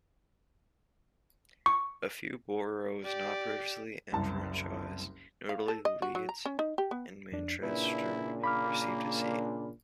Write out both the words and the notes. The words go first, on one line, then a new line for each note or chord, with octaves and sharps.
A few boroughs not previously enfranchised, notably Leeds and Manchester, received a seat.
C#6
G4 D5
F#1 C2 A5
F5
A4
D#5
F#4
F#3
A#5
C#4
D#4
G4
B3
F2 D4
A#2 C#3 D4 E4 B4
A#3 B5 D6 F6